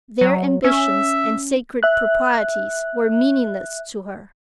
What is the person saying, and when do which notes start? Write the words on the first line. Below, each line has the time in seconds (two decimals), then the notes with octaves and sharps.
Their ambitions and sacred proprieties were meaningless to her.
0.21 F#3
0.64 C#4 E5
1.83 E5 F#6